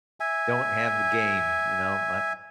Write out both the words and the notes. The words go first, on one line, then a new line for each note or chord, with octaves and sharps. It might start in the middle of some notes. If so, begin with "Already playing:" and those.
don't have the game, you know, my
E5 G#5